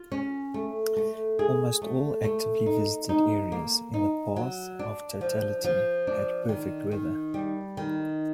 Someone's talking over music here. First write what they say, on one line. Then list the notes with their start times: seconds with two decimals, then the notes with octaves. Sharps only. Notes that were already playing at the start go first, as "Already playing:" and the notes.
Almost all actively visited areas in the path of totality had perfect weather.
Already playing: F4
0.12 C#4
0.54 A3
0.97 A3
1.39 G#4
1.82 A3
2.24 A3
2.66 D#4
3.09 D#4
3.52 A#3
3.94 D#4
4.36 F#3
4.79 D4
5.21 F3
5.64 F3
6.07 D4
6.49 D#3
6.91 D#3
7.34 G3
7.77 D#3